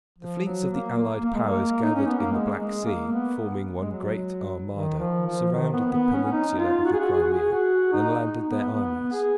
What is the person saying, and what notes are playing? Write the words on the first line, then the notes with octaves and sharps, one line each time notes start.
The fleets of the allied powers gathered in the Black Sea, forming one great armada; surrounded the peninsula of the Crimea, and landed their armies.
F3
F#3
A#3
A#3
A#3
G#3
A#3
D#4
C#4
B3
A#3
G#3
G#3
A#3
B3
G#3
F#3
D#3
F3
F3
D#3
B3
B3
C#4
C#4
D#4
F4
F#4
G#4
F#4
G#4
F#4
G#4
F#4
D#4
B3
B3
G#4